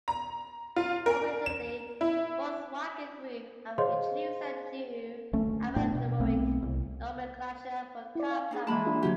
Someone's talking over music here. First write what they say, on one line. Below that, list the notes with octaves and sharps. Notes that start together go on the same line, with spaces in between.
More recently, Volkswagen Group have introduced a new alphanumeric nomenclature for car platforms.
A#5
F4
A#4
E7
E4
G#4 C5 C#5 D#5 F5 C6
D2 A3 C#4
A2 A3 B3 D4
B2
B1 A3 B3 C4
C2
E4 D5
F5
D4 D#4 G#4
E3 G#3 A#3 A5 B5
D4 F4 G#4
D3 F#3 F#4 G4 B4 C#5